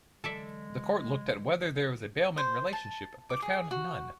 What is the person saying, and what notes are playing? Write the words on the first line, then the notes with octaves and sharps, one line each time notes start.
The Court looked at whether there was a bailment relationship but found none.
D3 E3 F#3 G#3 A4 D5 E5
C5
A5
D6
G#4
F#4